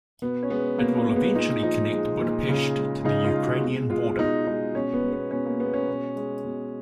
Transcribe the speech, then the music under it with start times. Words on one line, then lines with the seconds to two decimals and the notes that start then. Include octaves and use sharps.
It will eventually connect Budapest to the Ukrainian border.
0.22 B2 B3
0.43 C#4
0.50 G#3 B3
0.78 B2 A#3
0.97 A#3
1.06 G#3
1.16 B3
1.35 A#2 D#4
1.63 F3 D#4
1.92 G#3
2.20 A#2
2.49 C#3
2.77 G#3
3.05 C#3 D#4
3.24 F4
3.34 G#3
3.43 F#4
3.61 B2
3.90 G#3 F4
4.18 B2 D#4
4.47 G#3 D#4
4.75 B2 C#4
4.94 B3
5.03 G#3
5.13 B3
5.31 B2 C#4
5.46 A#3
5.60 G#3 B3
5.74 C#4
5.88 B2
6.16 G#3
6.45 B2